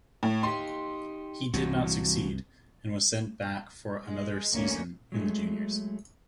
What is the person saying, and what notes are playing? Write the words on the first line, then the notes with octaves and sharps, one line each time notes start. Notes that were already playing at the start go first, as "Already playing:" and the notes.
He did not succeed and was sent back for another season in the juniors.
A2
D#4 G4 C6
C2 G2 E3 F#4
G#3
D2 A2 A#3 C#4
F#3 G#3 A3